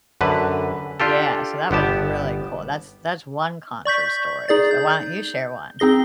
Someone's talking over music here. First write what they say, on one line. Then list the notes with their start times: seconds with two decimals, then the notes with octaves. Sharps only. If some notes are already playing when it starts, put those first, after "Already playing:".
Yeah, so that was really cool. That's that's one concert story. So why don't you share one?
0.21 F#2 D3 B4
1.00 D4 F4 G4 A4
1.71 G1 B3 G4 A5
3.85 D5 C#6 G6 B6
4.49 D#4 G#4 D5 A6
4.71 G6
5.79 C4 D#4 G#4 A#6 G7